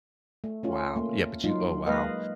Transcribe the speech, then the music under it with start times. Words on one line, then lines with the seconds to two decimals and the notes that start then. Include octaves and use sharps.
wow. Yeah, but you oh, wow.
0.44 A3
0.63 A3 C#4 F4
0.96 A3 A#3
1.44 F#3 D#4 F4
1.87 G#3 A#3 B4 D#5 F5